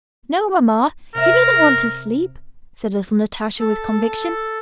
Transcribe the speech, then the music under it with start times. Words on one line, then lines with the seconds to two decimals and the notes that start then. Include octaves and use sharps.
"No, Mamma, he doesn't want to sleep," said little Natasha with conviction.
1.15 C3 A#4 E5
3.60 A4